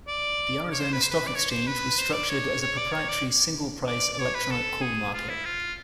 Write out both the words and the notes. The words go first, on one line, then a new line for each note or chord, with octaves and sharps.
The Arizona Stock Exchange was structured as a proprietary "Single Price" electronic call market.
D5
C#5
C5
B4
C5
B4
D5
C#5
C5
B4
C5
D5
C#5
C#5
D5
C#5
D5
D5
D5
C#5
B4
A4
G#4
F4
E4
F4